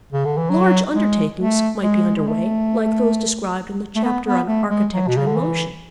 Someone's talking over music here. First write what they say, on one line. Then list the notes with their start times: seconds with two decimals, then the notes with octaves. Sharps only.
Large undertakings might be under way, like those described in the chapter on Architecture-in-Motion.
0.13 C#3
0.25 D3
0.37 E3
0.50 F#3
0.94 G#3
1.38 A3
1.83 G#3
2.16 G#3
2.27 A3
3.96 A3
4.04 B3
4.26 B3
4.48 A3
4.70 G#3
4.92 F#3
5.07 B2
5.17 C#3
5.27 D3
5.36 E3